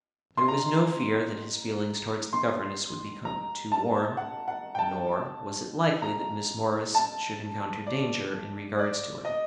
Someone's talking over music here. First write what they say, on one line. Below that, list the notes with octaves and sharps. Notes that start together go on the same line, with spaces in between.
There was no fear that his feelings towards the governess would become too warm;--nor was it likely that Miss Morris should encounter danger in regard to him.
C6
A#5
C6
A#5
A5
F#5
F#5
G5
A5
A#5
A5
D5
D5
D#5